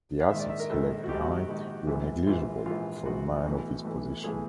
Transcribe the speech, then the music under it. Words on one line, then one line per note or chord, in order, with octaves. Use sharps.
The assets he left behind were negligible for a man of his position.
F5
A#1 G#2 D#3 E5
D5
E5
A#4
A#1 G#2 D#3 A4
F#4
A#1 G#2 D#3 G4
F#4
A#1 G#2 D#3
A#1 G#2 E3
A#1 G#2 E3 F4
A#1 G#2 E3 F4
A#1 G#2 E3 F#4
B1 A2 E3
B1 A2 E3
B1 A2 E3 G#4